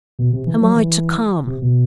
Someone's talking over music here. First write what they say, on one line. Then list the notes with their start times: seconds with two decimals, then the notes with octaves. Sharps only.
"Am I to come?"
0.19 B2
0.33 C3
0.47 E3
0.61 F#3
0.76 E3
1.47 C3
1.62 B2